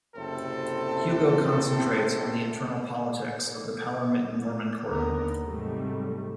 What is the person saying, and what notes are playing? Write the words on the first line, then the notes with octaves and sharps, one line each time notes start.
Hugo concentrates on the internal politics of the Palermitan Norman court.
F#1 A2 C3 C4 A4
D#2 D3 B3 A#4 A#5
G#2 C3 F#3 G3 A3